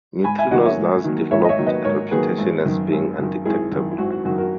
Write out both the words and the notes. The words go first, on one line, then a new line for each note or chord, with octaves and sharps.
Neutrinos thus developed a reputation as being undetectable.
G#2 G#5 B5
E5 G#5
D#3 F#3 A#3 D#5 F#5
C#5 E5
G#2
D#3 F#3 A#3
G#2 C#5 E5
D#5
C#5 E5
D#3 F#3 A#3
B4 D#5
G#2 A#4 C#5
D#3 F#3 A#3 G#4 B4
G#1
F#2 D#3
G#1
F#2 D#3
G#1 E4 G#4
F#2 D#3
E4
G#1 F#4
F#4
F#2 D#3 F#4
F#4 A#4